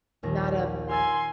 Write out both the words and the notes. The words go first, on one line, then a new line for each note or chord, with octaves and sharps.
not a
A#1 D#2 A#6
A#4 G#5 C6 E6 A6